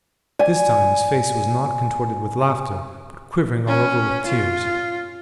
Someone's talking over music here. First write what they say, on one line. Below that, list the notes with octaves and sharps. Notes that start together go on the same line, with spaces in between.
This time his face was not contorted with laughter, but quivering all over with tears.
D5 G#5
C#4
F4